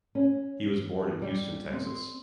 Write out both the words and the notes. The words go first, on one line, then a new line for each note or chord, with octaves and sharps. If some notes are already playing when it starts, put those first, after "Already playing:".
He was born in Houston, Texas.
C#4
G3
C4